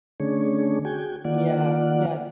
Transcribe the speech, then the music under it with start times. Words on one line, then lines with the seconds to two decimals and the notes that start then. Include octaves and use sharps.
Yeah, yeah.
0.20 D3 A3 C#4 D4 G#4 C#5
0.85 F#4 G#4 G5 G#5
1.25 D#3 A#3 F4 D5 F#5